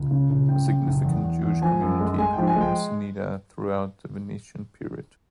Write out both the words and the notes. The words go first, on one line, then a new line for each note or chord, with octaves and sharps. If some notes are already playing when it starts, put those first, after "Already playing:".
A significant Jewish community grew in Ceneda throughout the Venetian period.
Already playing: C#2
C#3
C#2
C#3 G5
C#3
F#1
E2
E2
E2
F3 G#5
F#2
G#3
G#3 G#5
F3 G5
G#5
G#3 G5